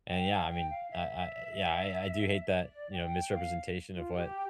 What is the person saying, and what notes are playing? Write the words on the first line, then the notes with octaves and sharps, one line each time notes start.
and yeah, I mean, I I yeah, I I do hate that, you know, misrepresentation of what
G5
F5
G5
F5
E5
D5
G5
F5
F4
G4